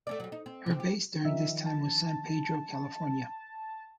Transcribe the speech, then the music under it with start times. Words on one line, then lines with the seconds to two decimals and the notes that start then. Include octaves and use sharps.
Her base during this time was San Pedro, California.
0.07 A3 C#4 D5
0.20 F#3 G3
0.32 D#4
0.46 C4
0.66 C3 C4
0.80 G4
1.25 D#3 F3 E5
1.66 A5